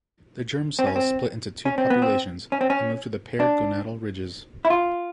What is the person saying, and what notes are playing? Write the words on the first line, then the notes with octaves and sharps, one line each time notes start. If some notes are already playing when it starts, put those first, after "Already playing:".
The germ cells split into two populations and move to the paired gonadal ridges.
C4
C#4
C4
C#4
C4
B3
C4
C#4
C4
C#4
D4
E4
F4